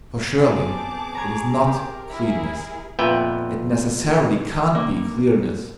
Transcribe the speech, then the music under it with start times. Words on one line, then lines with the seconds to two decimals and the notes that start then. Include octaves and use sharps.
For surely it is NOT clearness--it necessarily can't be clearness.
0.40 B3 C4 G#4 A5 D6
1.15 C#5 A#5 G#6
1.67 G4 A#4
2.10 E4 G#4 E5
2.99 F2 A#2 B3 B4 E5 G5
4.75 A#3